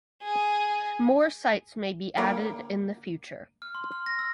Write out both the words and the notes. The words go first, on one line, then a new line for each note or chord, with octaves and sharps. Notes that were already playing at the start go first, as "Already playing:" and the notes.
More sites may be added in the future.
G#4
D3 A#3 A#4
F6
C6
F6
A#6
E6